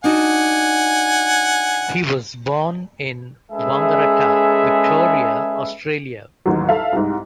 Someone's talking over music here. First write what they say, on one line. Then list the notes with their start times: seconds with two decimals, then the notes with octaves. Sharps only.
He was born in Wangaratta, Victoria, Australia.
0.04 D4 D#4 F#4 F#5 G#5
3.52 G#3 C#4 G#4 A4 B4 E5
6.46 A1 D#2 G#2 F#3
6.69 A4 E5 F5
6.93 C2 G#2